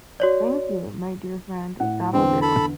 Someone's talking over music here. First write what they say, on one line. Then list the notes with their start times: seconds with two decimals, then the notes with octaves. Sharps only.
Thank you, my dear friend, that'll do.
0.20 F#4 C#5 D5
1.80 A2 F#5
2.13 E2 D3 C4
2.42 A4 B5